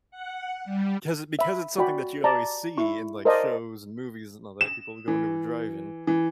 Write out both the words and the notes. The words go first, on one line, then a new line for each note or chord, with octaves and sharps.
‘cause because it's something that you always see in, like, shows and movies and all that, people go into a drive-in,
F#5
G3
E5 B5
F#4 D5 G5 B5
D5 A5 A#5
E4 C#6
A#4 C5 D5 D#5 F5 A5
E7
E3
E3